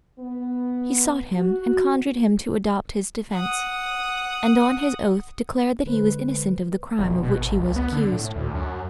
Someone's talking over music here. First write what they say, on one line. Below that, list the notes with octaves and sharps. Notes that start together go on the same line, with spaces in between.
He sought him, and conjured him to adopt his defence, and on his oath declared that he was innocent of the crime of which he was accused.
B3
F#4
F#5 D#6
D3 G#3 B4 C5
E1
B2
G#1
C#2
B3
D3
A2
D2
F#2